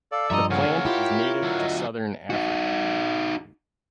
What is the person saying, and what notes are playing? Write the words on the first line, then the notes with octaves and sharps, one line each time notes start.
The plant is native to southern Africa.
A4 D5 F5
G2 F3 D#5 E5 A#5
C#3 A#3 A#4 C#5 F#5
E4 F4 G4
D3 F#3
D#5
D#4 F#4